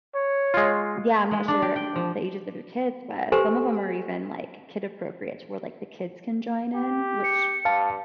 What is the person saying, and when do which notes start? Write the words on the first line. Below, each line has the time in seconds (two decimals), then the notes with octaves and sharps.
yeah, I'm not sure about the ages of your kids, but some of them are even, like, kid appropriate to where, like, the kids can join in, which
0.15 C#5
0.54 G#3 F4
1.31 G#3
1.48 D4
1.62 G4
1.76 G5
1.96 F3
3.32 G4 A4 B4 C5 G#5 C6
6.75 G4
7.24 C#7
7.65 G2 F5 A5